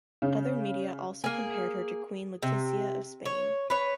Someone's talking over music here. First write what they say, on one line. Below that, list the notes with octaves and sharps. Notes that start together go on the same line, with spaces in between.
Other media also compared her to Queen Letizia of Spain.
C#3
A#3 G#4
C3
C#5
B4 C#5